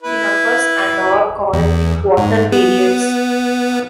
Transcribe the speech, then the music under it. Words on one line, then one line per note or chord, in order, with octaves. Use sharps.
The numbers and are called the quarter periods.
E4 B4
E2
G#2
B3